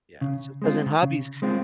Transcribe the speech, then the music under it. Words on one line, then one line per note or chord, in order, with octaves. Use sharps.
Yeah, so 'cause in hobbies,
C#3
G#3 C4 F4
C#3
G#3 C4 F4